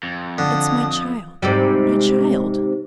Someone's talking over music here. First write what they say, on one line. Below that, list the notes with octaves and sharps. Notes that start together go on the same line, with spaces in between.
"It's my child, my child!"
F2
D3 D#6
G#2 C3 G3